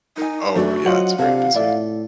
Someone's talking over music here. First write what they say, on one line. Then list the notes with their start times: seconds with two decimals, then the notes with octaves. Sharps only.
Oh, yeah, it's very busy.
0.17 D#4 A#4 G#5
0.56 F#2 A3 D4 F#4
0.86 F#3 D4 F4 C5 D#5 F#5 F#7
1.19 C3 D4 A4 F5
1.55 A2 A4 D5 E5